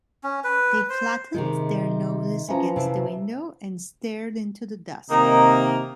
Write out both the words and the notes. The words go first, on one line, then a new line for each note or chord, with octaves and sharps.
They flattened their noses against the window, and stared into the dusk.
C#4
B4
C5
C3 D#3 G#3
E3 F3 C#4 A#5
C3 E4 A5
C3 D#3 A#3 D#4